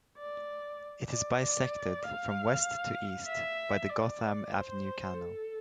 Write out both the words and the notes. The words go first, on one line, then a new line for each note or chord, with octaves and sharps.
It is bisected, from west to east, by the Gotham Avenue Canal.
D5
D5
D5
F5
E5
D5
C5
A4